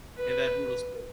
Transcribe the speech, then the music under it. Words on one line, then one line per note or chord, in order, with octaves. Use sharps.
in that brutal sport
B4